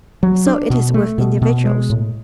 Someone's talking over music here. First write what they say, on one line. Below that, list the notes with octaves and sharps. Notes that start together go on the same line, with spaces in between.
So it is with individuals.
F#3
D4
B2
A3
B2
B2
G#3
A2